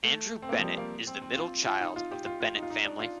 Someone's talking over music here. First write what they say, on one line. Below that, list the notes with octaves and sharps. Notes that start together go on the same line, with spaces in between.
Andrew Bennett is the middle child of the Bennett Family.
A3
C4
A#3
F3
G3
A#3
C4
C4
F4
F4
D#4
F4
G4
F4
F4
D#4
F4
D#4
D4
F4